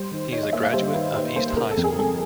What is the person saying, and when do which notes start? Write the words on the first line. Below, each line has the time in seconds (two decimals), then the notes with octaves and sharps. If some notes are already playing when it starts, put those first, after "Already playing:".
He is a graduate of East High School.
Already playing: G3 C5
0.11 D#3
0.32 D#4 C#5
0.43 D#5
0.53 A#3 E5
0.63 F5
0.73 G3 C5
0.94 D#3 B4
1.15 D#4 C5
1.36 A#3 C5
1.57 C#3 A#4
1.71 A4
1.77 F2
1.84 G#4
1.98 G#3 A4